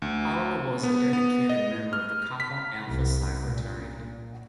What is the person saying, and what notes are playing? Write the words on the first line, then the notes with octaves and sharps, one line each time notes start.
Hollowell was a dedicated member of Kappa Alpha Psi fraternity.
D2
B3
B3
D#5
F6
B6
C2
A#2